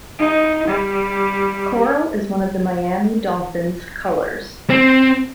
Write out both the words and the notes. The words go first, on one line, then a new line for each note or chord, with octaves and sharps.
Coral is one of the Miami Dolphins' colors.
D#4
G3
C4